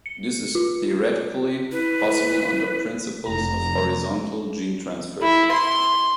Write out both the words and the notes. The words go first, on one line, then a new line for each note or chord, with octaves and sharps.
This is theoretically possible under principles of horizontal gene transfer.
C#7
F4
E4 B4
F1 A#5
E4
C6